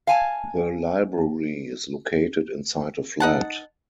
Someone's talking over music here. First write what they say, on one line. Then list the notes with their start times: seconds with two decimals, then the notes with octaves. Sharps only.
The library is located inside a flat.
0.07 F5 G#5 A5
3.20 D#4 F#5 A5